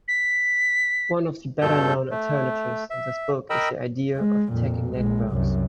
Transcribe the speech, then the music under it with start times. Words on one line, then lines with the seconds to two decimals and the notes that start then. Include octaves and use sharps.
One of the better-known alternatives in this book is the idea of attacking networks.
0.08 B6
1.61 G2 B2 A4 G6
2.11 A3
2.90 E5
3.50 A#4 D#5 G5 B5 E6
4.16 G#3
4.50 F2 A#2
4.95 A#1 G#3
5.30 C2 F#2